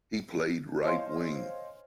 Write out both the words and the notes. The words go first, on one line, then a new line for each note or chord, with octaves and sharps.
He played right wing.
C5 C#5 D#5 F5 G#5 C6